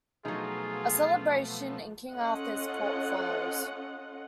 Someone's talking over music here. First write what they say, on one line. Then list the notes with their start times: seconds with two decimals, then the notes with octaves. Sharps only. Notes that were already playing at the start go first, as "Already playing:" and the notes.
A celebration in King Arthur's court follows.
0.25 B2 F3 F#3 A3 D#4 F4 G#4
2.13 C#4 F4 A4 D#5 F#5